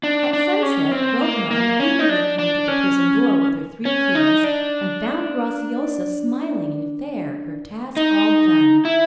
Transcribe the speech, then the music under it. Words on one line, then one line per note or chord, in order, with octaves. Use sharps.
At sunset, Grognon eagerly came to the prison-door with her three keys, and found Graciosa smiling and fair, her task all done.
D4
D4
C#4
C4
A#3
A#3
C#4
D#4
D4
D4
C#4
C#4
D#4
D4
D#4
E4